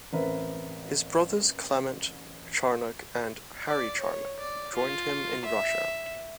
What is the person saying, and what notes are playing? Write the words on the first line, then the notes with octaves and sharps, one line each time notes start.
His brothers Clement Charnock and Harry Charnock joined him in Russia.
A1 C4 A#4 B4 E5
D5
C#5
D5
F4
E5